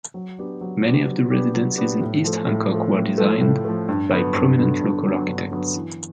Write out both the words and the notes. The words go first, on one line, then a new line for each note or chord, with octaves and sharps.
Many of the residences in East Hancock were designed by prominent local architects.
F#3
B3 D4 G4
F#3
B3 D4 G4
F#3
B3 D4 G4
F#3
B3 D4 G4
A2
F3 A3
A2
F3 A3
A2
F3 A3
A2
F3 A3
G2
D3 F#3 B3
G2
D3 F#3 B3
G2
D3 F#3 B3
G2
D3 F#3 B3
E3